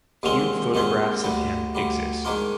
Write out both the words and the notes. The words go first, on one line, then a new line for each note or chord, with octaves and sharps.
Few photographs of him exist.
D#2 D3 G#3 C4 F4
D#2 D3 G#3 C4 F4
D2 D3 G3
D2 D3 G3
G#2 D#3 A#3 D4 F4